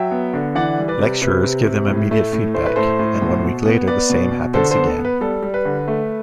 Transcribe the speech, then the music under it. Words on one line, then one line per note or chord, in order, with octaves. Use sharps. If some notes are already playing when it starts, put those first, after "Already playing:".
Lecturers give them immediate feedback, and one week later, the same happens again.
Already playing: F#3 E5 G5
B3
D3
E3 D5 F#5
G3
B4 D5
C3
C3 B4
C3
C3
A2
A3
A2
A3 C5
B4
A2 A4 C5
A2
B2
B2
B3
B3 B4 D5
B2
B2
D3 A4 C5
A4 C5
B3
A4
B3
B4
G3 A4
G3
B4
D3
A3